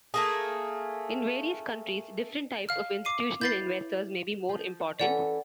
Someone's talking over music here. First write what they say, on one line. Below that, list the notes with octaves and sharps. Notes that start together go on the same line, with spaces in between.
In various countries different types of institutional investors may be more important.
A3 A#3 G#4
F5 F6
D6 C7 D#7
E4 B4 G6 A6 C7
F3
E3 C#4 A4 D5 F#5